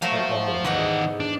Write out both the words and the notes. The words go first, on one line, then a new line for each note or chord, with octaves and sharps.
They all went in.
F#3 A3 A#4 C5 F5
E2 G#2 D#3 D#5 F#5
D4